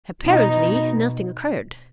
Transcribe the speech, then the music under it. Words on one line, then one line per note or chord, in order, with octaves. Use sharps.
Apparently nothing occurred.
B2 D#4